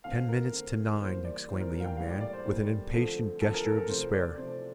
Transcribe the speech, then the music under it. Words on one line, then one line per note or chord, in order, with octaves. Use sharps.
"Ten minutes to nine!" exclaimed the young man, with an impatient gesture of despair.
D3 A3 C4 F5
A#4
D3 A3 C4
E3 G3 A#3 C5
D5
E3 G3 A#3 C5
A#4
A#4
F5
G5
A2 G3 A#3 F5
D5
D5
C5
A2 G3 A#3
D3 F3 A3 C4
D3 F3 A3 C4 A4
A#4
A4
A#4
C3 F3 A3 C5
D5
C3 F3 A3 C5